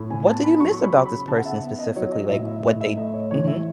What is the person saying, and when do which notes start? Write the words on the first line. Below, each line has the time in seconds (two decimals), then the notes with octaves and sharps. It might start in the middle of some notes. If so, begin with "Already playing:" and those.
what do you miss about this person specifically? Like, what they'd mhm.
Already playing: A2
0.10 G#5
0.26 B3 A5
0.44 B5
0.60 F#3 C#6
0.83 B5
0.94 C#3
1.06 B5
1.28 C#3 A5
1.38 F#5
1.45 E5
1.62 B3
1.79 D#5
1.96 F#3 C#5
2.12 D#5
2.30 A2 E5
2.47 E5
2.63 A2 D#5
2.81 E5
2.97 A3 D#5
3.14 C#5
3.31 E3 C#5
3.48 E5